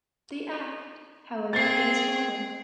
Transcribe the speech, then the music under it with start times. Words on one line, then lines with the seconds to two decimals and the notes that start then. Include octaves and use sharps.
The Act, however, goes further.
1.53 C4 G#4 A6 C7